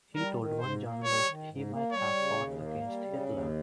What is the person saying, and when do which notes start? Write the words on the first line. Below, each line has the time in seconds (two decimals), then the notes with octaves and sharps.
He told one journalist he might have fought against Hitler.
0.15 G3 A#4
0.37 D#3
0.60 G#2 C5
0.82 A#3
1.04 G3 C#5
1.26 D#3
1.49 G#2
1.71 A#3
1.93 G3 C#5
2.15 C#3
2.37 D#2
2.60 A#3
2.82 G3
3.04 C#3
3.26 D#2